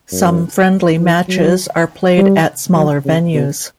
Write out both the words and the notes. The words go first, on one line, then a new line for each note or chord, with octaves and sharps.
Some friendly matches are played at smaller venues.
F#2
E3
F#3
G3
F#3
C#3
B2